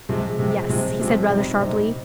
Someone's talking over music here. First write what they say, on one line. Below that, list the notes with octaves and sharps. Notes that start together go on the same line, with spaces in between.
"Yes," he said rather sharply.
C3 F3 G#3 C4
C3 F3 G#3 C4
C3 F3 G#3 C4
C3 F3 G#3 C4
C3 G3 C4 D#4
C3 G3 C4 D#4